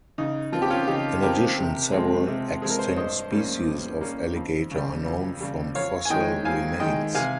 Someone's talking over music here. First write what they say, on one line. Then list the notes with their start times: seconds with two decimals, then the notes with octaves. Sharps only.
In addition, several extinct species of alligator are known from fossil remains.
0.18 C#3 D#4
0.52 F3 C4 F4
0.62 G4
0.70 C#4 F4
0.87 C#3 D#4 G4
1.22 F3 C4 G4 A#4
1.58 C3
1.92 F3 G#3 C4
2.27 C3
2.62 F3 G#3 C4 G#4
2.70 A#4
2.79 C5
2.88 C#5
2.97 G2 C5 D#5
3.32 G3 A#3 C#4
3.66 G2
4.01 G3 A#3 C#4
4.36 F2
4.71 C#3 G3
5.06 F2
5.41 C#3 G3
5.75 F2 C#5 F5
6.05 G#5
6.10 D#3 G#3 D#5 G5
6.45 F2 F5 G#5
6.80 D#3 G#3 D#5 G5
7.15 C3 F5 G#5